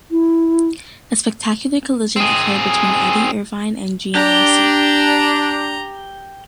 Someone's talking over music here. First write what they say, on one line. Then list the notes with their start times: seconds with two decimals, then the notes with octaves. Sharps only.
A spectacular collision occurred between Eddie Irvine and Jean Alesi.
0.11 E4
2.16 C4 G#4
4.15 D4 G4 A#5